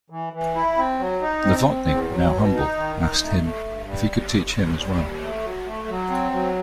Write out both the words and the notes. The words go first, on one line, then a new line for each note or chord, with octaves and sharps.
Novotny, now humble, asked him if he could teach him as well.
E3
E3
E4
C4
F#3
D#4
C4
C4
E2
F#3
B2
D#4
D#3
D#4
A3
A3
G2
G3
D#2
D#2
D#2
G3
D#2
A3
F#3
A3
F#3
C4
F#3